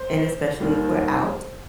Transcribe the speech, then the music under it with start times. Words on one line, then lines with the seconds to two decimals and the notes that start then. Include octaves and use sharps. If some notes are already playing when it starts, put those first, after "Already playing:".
And especially if we're out
Already playing: C5
0.60 D#2 D#3 G3